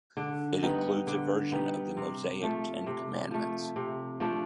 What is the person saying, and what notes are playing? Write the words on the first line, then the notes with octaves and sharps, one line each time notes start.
It includes a version of the Mosaic Ten Commandments.
D3
G3 B3 D#4
D3
G3 B3 D#4
C3
F3 A3
C3
F3 A3
C3
F3 A3 D4